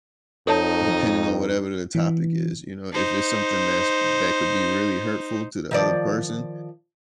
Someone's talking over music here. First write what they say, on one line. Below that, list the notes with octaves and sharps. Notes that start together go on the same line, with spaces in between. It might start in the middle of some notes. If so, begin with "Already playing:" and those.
depending on whatever the topic is, you know, if it's something that's, that could be really hurtful to the other person,
F2 D#4 A4 C#5 A5
E3
D#4 C5
D#3 F3 D5